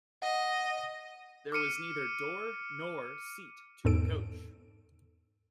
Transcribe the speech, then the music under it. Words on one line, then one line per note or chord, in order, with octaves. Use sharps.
There was neither door nor seat to the coach.
D#5 F#5
D6 F6 C#7 D#7
E2 G#2 A4 D7